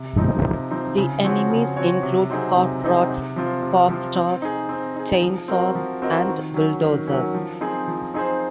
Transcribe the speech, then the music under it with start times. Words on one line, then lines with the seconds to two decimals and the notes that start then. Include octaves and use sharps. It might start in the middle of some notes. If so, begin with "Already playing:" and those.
The enemies include Corprats, Popstars, Chainsaws and Bulldozers.
Already playing: C3
0.17 F3 C4 D#4
0.44 C3
0.71 F3 C4 D#4
0.97 C#3
1.23 F3 C4 F#4 C#5
1.50 C#3
1.76 F3 C4 F#4 C#5
2.03 C3
2.30 F#3 C4 D#4 G#4
2.56 C3
2.83 F#3 C4 D#4 G#4
3.10 C3
3.36 F3 C4 F4
3.63 C3
3.89 F3 C4 F4
4.15 C4
4.42 D#4 G#4
4.69 C4
4.96 D#4 G#4
5.22 F3
5.48 C4 F#4 A#4 D#5
5.75 F3
6.02 C4 F#4 A#4 D#5
6.28 D#3
6.54 F#3 C#4
6.81 D#3
7.08 F#3 C#4
7.35 F3
7.61 C4 D#4 G#4 C5
7.88 F3
8.14 C4 D#4 G#4 C5